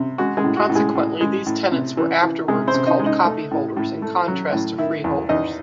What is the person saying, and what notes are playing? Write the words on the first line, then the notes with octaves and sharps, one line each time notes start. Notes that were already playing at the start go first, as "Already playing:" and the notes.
Consequently, these tenants were afterwards called copyholders, in contrast to freeholders.
Already playing: C3
G#3 F#4
G#3 G#4
A2
F#4
A2
G#3 G#4
A2
G#3
A2
C3
E3
E3
C3 G#3 G#4
C4 C5
C3
D#4 D#5
G#3
D#4 D#5
A3
A2
A2
A3
F#3
A2
D#3 E4 E5
E2
E2 D#4 D#5